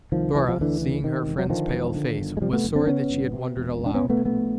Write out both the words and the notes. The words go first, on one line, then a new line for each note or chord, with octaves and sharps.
Dora, seeing her friend's pale face, was sorry that she had wondered aloud.
C2 D#3 F3
C3 E3
F3
D2 D3 E3
D3
C3 D#3
E1
F#3
D3 D#3 F3
E1
D3
G1
G#3
C3 F3 G3
A3 B3
F#1
C4 D4
C#3 B3 C#4
G1
C3
E1
C#2
D4
B3 C#4
B2
A3 B3
A#1 A3 B3